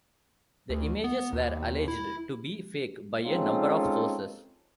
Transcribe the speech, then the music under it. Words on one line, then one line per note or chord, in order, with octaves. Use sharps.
The images were alleged to be fake by a number of sources.
D2
B3
D#2
E4
G#3 C4 C#4 D#4 F4 A4